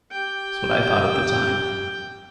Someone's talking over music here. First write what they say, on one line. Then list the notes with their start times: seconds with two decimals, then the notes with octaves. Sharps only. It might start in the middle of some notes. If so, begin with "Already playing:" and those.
That was what I thought at the time.
0.12 G4 G5